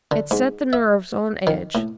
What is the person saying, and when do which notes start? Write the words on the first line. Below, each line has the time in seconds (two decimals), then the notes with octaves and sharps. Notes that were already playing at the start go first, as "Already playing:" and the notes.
It set the nerves on edge.
0.11 D3
0.31 G#2
0.73 E5
1.47 D#3
1.75 A2